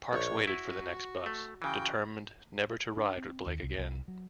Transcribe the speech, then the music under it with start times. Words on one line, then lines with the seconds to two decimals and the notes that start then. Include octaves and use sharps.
Parks waited for the next bus, determined never to ride with Blake again.
0.13 A#1 C#5
0.47 E4 F#4
1.26 A3
1.62 C#3 E3 F#4 G5
2.97 D4
3.17 C4
3.46 D#2
3.63 C2
3.78 C2
4.08 F#3